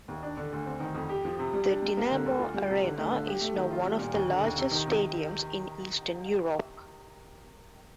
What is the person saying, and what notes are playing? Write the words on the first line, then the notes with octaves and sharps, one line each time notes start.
The Dinamo Arena is now one of the largest stadiums in Eastern Europe.
D#2
D4
D3
D2
C4
D#3
F2
G4
F3
C3
G3
D4
G3
A#3
D3
D2
F4
G3
C3
D3
A3
D3
G4
A3
D#3
F4
G3
A#2
D#2
D3
D#2
C3
D#3
C3